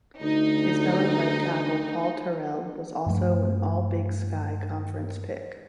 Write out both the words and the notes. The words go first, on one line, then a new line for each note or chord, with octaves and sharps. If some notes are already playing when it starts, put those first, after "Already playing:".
His fellow right tackle Paul Terrell was also an All-Big Sky Conference pick.
D2 D#4
G2 F3 A3